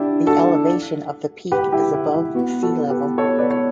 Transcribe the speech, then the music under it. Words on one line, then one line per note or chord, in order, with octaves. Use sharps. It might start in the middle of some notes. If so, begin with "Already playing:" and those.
The elevation of the peak is above sea level.
Already playing: D4 E4 G4
F#4 A4
G4 B4
E4 G4
E4
E4
B3 F#4
F#4 A4
G4 B4
A4 C#5
B4 D5
C#5